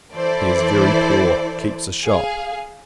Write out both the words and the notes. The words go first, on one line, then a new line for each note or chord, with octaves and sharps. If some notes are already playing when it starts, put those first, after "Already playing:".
He is very poor; keeps a shop.
E3 E4 A4 C5 D5
G#4 F5